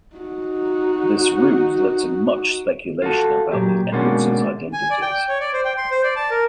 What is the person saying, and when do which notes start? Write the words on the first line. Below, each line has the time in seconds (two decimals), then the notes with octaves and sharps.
This ruse led to much speculation about the Edwardses' identities.
0.16 D#4 F#4
3.02 F4 F#4 A4
3.52 A#2 F#3 G4
3.92 B2 G#3 A#3 C#4 D4 F#4
4.73 G#5
4.90 D5
5.02 G5
5.28 C#5
5.40 D5
5.53 C5
5.65 G5
5.78 C6
5.91 C5
6.04 D5
6.16 A5
6.31 A#4